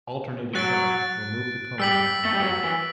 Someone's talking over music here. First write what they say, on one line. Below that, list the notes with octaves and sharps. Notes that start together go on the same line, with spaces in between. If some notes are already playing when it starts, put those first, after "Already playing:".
Alternating current will move the cone back and forth.
F#3 F#6 A6 D7
G3 E6 B6 F#7
A3
G3
F#3
E3